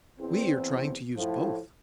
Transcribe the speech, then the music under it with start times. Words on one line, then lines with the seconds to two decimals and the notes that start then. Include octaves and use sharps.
We are trying to use both.
0.20 E2 C4
1.17 A2 F3